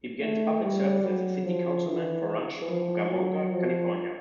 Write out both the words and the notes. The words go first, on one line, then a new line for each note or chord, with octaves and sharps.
He began his public service as a City Councilman for Rancho Cucamonga, California.
A3
G3
F#3
F3
E3
F3
F#3
F3